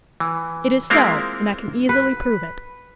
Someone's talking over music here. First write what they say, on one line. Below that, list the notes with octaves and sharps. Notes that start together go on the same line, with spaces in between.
It is so, and I can easily prove it.
E3
G#3 A#3 C4 E4 F4 A#4
B4